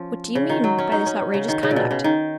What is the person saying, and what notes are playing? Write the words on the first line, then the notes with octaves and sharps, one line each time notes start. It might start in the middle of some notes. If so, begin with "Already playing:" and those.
What do you mean by this outrageous conduct?
Already playing: F3 C#4
C#3
D#3
F#3
C#4
D#4
C#4
C#3
D#3
C#3
A#2
B2
C#3
D#3